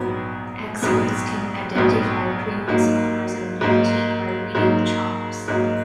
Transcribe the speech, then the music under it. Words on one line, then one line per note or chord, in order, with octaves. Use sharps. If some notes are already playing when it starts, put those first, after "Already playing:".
Experts can identify previous owners of an antique by reading the chops.
Already playing: A#1 G#2 F#3 B3
A#1 G#2 F#3 B3
A#1 G#2 F#3 B3
G#2 F#3 A#3 D#4
G#2 F#3 A#3 D#4
G#2 F#3 A#3 D#4
G#2 F#3 A#3 D#4